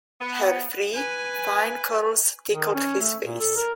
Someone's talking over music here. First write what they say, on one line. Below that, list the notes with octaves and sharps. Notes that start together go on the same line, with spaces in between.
Her free, fine curls tickled his face.
B3
B4 G#5
D#3
C#4
A3
A#2
A4
A#4